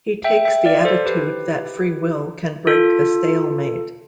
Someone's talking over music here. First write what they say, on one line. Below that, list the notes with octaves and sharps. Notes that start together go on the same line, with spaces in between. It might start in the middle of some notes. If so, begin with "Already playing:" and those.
He takes the attitude that free will can break the stalemate.
E5 G5
E5 G5
D5 F5
A4 C5
G4 B4
F4 A4